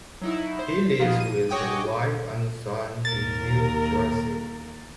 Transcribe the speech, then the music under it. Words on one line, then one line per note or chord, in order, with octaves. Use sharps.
He lives with his wife and son in New Jersey.
F#3 D#4 E4
C5
F3 A#3 B3 D#4 F4
D#7
F#4 C#5 D#5 G5 G#5 D6
D#2 A#4 A6